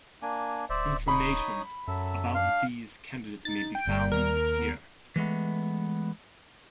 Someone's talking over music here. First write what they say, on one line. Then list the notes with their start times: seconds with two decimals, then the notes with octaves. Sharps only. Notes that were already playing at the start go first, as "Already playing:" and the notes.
Information about these candidates may be found here.
0.22 A#3 D4 G#5
0.69 D1 C5 D5 E5
1.08 D#4 C#5 B5 D#6
1.88 F#2 F#3 A4 E5
2.35 D4 F5
3.45 D#4 A6
3.75 G5
3.87 G1 G3
4.12 D#2 A#4
4.54 B3
5.16 E3 G#3 A3 B3